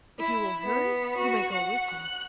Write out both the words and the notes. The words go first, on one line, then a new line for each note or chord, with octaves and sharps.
If you will hurry, you may go with him!
E4
B3
F#4
F#5
F#6